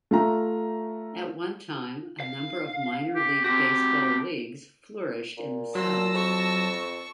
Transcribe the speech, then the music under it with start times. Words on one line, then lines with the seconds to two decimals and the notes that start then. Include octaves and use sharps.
At one time a number of minor league baseball leagues flourished in the South.
0.11 A3 F4 A#5
2.20 F5
3.15 G4
3.44 C4 F#4 G4
5.37 A#2
5.75 F#3 A5 C6 E6 A#6
6.15 F2 C#6